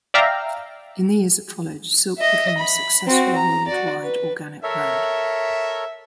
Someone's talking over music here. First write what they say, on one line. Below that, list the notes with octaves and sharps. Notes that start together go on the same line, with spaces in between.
In the years that followed, Silk became a successful, world-wide, organic brand.
D5 E5 F5 G5 A#5
D#5 E5
B5
C4 F#4
A#5
F#4 D5
B4
A4 A#4 C#5 E5